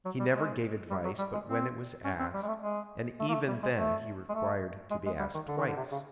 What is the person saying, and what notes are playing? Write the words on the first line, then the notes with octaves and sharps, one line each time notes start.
He never gave advice but when it was asked, and even then he required to be asked twice.
F#3
G3
G#3
G3
F#3
G3
G#3
C4
C#4
C4
G3
G#3
A3
G#3
A3
A#3
A3
G3
G#3
A3
G#3
A3
G#3
G#3
G3
D#3
D3
D#3
D3
C3
C#3